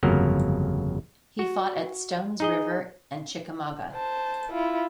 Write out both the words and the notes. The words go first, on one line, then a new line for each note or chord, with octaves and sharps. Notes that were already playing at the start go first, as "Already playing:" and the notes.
He fought at Stones River and Chickamauga.
G1 F2 C#3 F#3 A#3 A#4
F#4
D#4 G#4 D#5
C5 A5
E4 F4